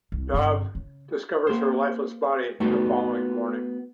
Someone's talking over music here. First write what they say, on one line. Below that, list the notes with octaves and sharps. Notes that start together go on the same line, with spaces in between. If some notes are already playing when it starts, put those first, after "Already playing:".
Dov discovers her lifeless body the following morning.
C2
G1 C3
C#3
A#3 C5
A3 B3 D#4 F#4 G4